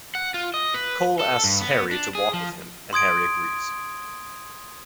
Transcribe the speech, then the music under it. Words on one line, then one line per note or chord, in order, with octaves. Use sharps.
Cole asks Harry to walk with him and Harry agrees.
F#5
F4
D#5
B4
A4
G2
B3
D4
G#4
F3
C6 D#6 G#6 D7